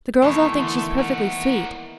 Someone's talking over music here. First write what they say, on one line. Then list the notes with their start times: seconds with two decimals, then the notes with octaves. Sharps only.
The girls all think she is perfectly sweet.
0.22 E2 D#3 E3 A3 B3
0.60 D3
0.98 A#3 F#5